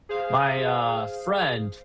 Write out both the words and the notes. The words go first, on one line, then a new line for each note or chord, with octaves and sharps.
my, uh, friend,
G#4 C5 F5